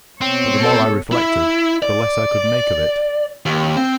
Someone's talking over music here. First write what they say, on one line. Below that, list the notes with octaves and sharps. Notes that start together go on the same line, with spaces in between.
But the more I reflected the less I could make of it.
B2 C4 C#5
A4
E4
D5
D#2
C4